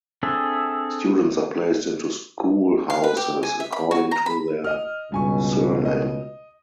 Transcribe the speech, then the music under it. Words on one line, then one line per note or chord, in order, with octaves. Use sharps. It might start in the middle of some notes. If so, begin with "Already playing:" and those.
Students are placed into school houses according to their surname.
C4 D4 G#4 A4 E5
F5
B4
G4
G#5
E5
B5
F#4
A#5
B5
D#5 F6
C#2 G2 B2 G#5 C#6
D#5